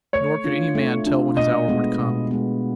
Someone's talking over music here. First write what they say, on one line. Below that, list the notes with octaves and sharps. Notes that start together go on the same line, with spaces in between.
Nor could any man tell when his hour would come.
A3 C#5
D4 F4
A3
D4 F4
B2 D#5
G#3 B3
B2
G#3 B3